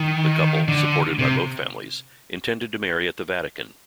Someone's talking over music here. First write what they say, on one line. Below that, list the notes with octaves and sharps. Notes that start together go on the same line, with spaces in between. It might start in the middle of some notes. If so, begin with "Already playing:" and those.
The couple, supported by both families, intended to marry at the Vatican.
Already playing: D#3
D3
C3